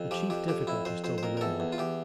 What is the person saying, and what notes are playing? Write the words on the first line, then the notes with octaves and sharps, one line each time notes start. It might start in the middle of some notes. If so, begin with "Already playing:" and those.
The chief difficulty still remained.
Already playing: F2
F3 G4
F2 G4
F2 G4
F2 E4
F2 C5
F2 C5
C5
F2 A#4
A#4
E2 A4
E2
F4
E2 G4